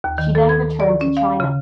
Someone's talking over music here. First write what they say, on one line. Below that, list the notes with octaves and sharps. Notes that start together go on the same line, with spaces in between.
She then returned to China.
D#2
D#3
A4
G#6
D5
C#4
F5
C#3